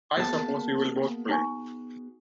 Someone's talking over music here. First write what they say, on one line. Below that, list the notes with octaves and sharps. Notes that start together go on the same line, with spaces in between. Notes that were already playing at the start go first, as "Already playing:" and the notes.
I suppose you will both play.
A#3 B3 F#4 G#4 A5
D#4 G#5 C#6